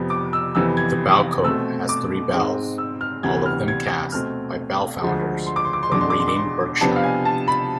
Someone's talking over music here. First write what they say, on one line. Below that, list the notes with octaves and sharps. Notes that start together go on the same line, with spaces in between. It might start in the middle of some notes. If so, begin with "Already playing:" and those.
The bellcote has three bells, all of them cast by bellfounders from Reading, Berkshire.
Already playing: F2 C3 F3 B3
D6
E6
F2 C3 E3 B3 E6
G#6
B2 A3 C4 E6
D6
G#2 G#3 C4
E6
F6
D2 C3 E3 B3 G#6
F6
G#6
B2 A3 C4 F6
D2 D3 F3 G#3
C6
D6
C6
D6
C6
E2 B2 G#3 D4 D6
C6
D6
C6
D6
C6
C3 F3 B3 D4 A5
F5
G#5
A5
B5